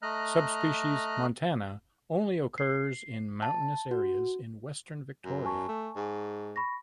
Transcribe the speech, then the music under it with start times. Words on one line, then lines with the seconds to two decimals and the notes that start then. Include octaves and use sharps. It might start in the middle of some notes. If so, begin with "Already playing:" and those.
Subspecies "montana" only occurs in mountainous areas in western Victoria.
0.02 A3 D#5 A#5 F6 F#6
2.58 C7
3.42 A5
3.91 F#4
5.25 F#2
5.45 G#5 A5 C#6
5.69 A3
5.96 G#2
6.56 B5 C#6 A#6